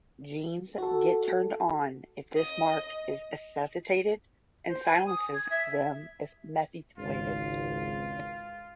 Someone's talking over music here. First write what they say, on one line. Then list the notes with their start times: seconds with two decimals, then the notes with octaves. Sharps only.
Genes get turned on if this mark is acetylated and silences them if methylated.
0.78 F#4 A4
2.37 D#5
4.67 C5
4.84 G#5
5.07 D#6
5.34 G#6
5.50 E5
6.98 G#1 C#2 F4